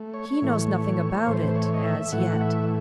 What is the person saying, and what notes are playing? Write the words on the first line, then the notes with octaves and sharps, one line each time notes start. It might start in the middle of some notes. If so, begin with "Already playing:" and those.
"He knows nothing about it,--as yet."
Already playing: A3
C#5
A2 E3 A3
A2 E3 A3 C5
C#5
D#5
E5
A2 E3 A3 F#5
E5